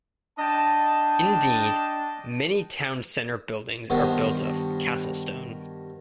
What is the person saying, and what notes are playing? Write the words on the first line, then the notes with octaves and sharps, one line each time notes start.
Indeed, many town centre buildings are built of 'castle stone'.
D4 D#5 G5 A5
G2 D#3 B3 F#4 C5 D#6